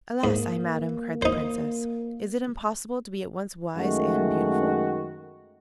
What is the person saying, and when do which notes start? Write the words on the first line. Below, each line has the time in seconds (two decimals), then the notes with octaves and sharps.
'Alas I madam,' cried the Princess, 'is it impossible to be at once wise and beautiful?'
0.24 G#2 A#3
1.22 D#4 C5
3.77 F#2 D#3 G#3 A3 F#4